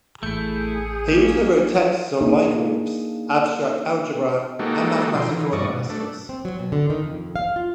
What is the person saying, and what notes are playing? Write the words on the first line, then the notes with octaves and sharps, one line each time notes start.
He also wrote texts on Lie groups, abstract algebra and mathematical analysis.
A1 A3 E4 G#4 G6 C#7
A#3 C#4
A#3 D4 D#4 G#4
G#3 A#3 D#4 F#4 G4 A4
B2 D#3 F3 G5 C6
D#3 E3
G2 D5 D#5 C#6
B2
A3 D4
C4
F#3
B2
D3
D#3
F2
F5
F4